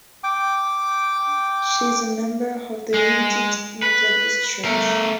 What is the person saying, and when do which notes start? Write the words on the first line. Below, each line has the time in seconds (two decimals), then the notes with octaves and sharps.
She is a member of The United Methodist Church.
0.24 G5 D6
2.94 G#3
3.82 B4
4.65 A3 A#4